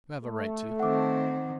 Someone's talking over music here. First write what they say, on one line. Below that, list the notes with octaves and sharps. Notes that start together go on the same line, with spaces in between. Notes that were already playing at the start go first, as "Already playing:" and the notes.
You have a right to.
A3
D#3 C4 F#5 D6